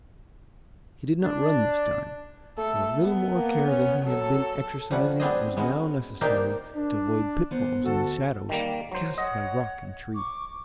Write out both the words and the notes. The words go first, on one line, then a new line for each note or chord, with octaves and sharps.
He did not run this time, for a little more care than he had been exercising was now necessary to avoid pitfalls in the shadows cast by rock and tree.
D4
A3 A4
B3
A#3
C#4
F#3 A4
F3 G3 C#4 F#5
B3 C4 D4 G#4 C5 D#5
G#3 B3 C#4 F#4
A#3 D4 D#4 G4 A#4 C5
D4
B3 A#4 C5
D2 F#4 A4
D#3 G3 A#3
F#3 C5
C#5 D#5 F#5
C#6 D6